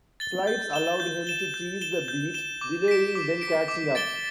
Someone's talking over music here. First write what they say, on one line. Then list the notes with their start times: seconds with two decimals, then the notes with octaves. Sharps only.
Slides allowed him to tease the beat, delaying then catching up.
0.20 A6 G7
0.47 G6
0.73 E7 G7
1.00 G6
1.27 E7 G7
1.54 G6
1.81 E7 G7
2.08 G6
2.34 E7 G7
2.61 D6
2.88 B6 D7
3.15 D6
3.41 B6 D7
3.68 D6
3.95 A6 D7 G7